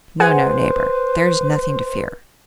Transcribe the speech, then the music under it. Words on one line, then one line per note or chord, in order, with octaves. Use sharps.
No, no, neighbor, there's nothing to fear!
G#4 B4 C5 F#5 G#5